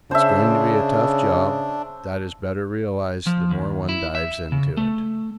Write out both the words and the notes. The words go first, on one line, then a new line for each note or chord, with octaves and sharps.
It's going to be a tough job; that is better realised the more one dives into it.
C#3 D4 C5 E5
F3
D#2
E4
E5
C#3
A3